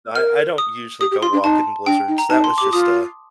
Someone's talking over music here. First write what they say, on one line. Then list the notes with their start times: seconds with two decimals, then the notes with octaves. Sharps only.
I I don't usually go walk in blizzards, that was just a
0.15 A#4 F6
0.58 D#6
1.01 G4 D#6
1.11 G4
1.22 F4 C6
1.32 D4
1.44 D#4 A5
1.86 D4 G5
2.08 D#4
2.18 A#5
2.30 D#4 A5
2.44 C6
2.58 G4 D6
2.72 F4 D#6